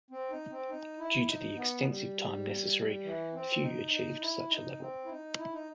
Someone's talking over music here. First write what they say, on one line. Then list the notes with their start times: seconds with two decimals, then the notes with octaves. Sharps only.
Due to the extensive time necessary, few achieved such a level.
0.11 C4
0.30 D#4
0.50 C4
0.69 D#4
0.99 E4
1.28 D#4
1.56 B3
1.87 G3
3.04 E3
3.33 C4
3.62 D#4
3.92 D#4
4.21 E4
4.50 D#4
4.80 C4
5.05 E4
5.10 D#4
5.38 E4
5.53 D#4